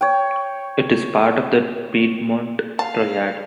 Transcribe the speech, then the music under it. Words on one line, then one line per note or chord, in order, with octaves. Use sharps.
It is part of the Piedmont Triad.
C#5 G5
F5 A5